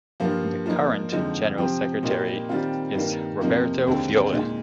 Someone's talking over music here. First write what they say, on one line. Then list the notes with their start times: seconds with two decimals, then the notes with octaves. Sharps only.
The current General Secretary is Roberto Fiore.
0.20 G2 F3 A#3 D4 F4
0.66 F3 A#3 D#4 A#4
1.12 F2 D3 F3 G#3 D#4
1.57 C3 F3 C4 G4
2.03 A#2 G3 A#3 D#4
2.49 D#3 G3 C4 F4
2.94 G2 D#3 A#3
3.41 F2 C3 F3 A#3 D#4
3.87 D#2 D3 G#3 C4
4.33 A#2 G#3 D#4